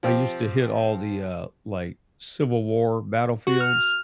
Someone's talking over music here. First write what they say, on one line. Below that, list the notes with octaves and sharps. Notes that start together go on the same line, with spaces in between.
I used to hit all the, uh, like, civil war battlefields
F3 C4 G4
F#4
F6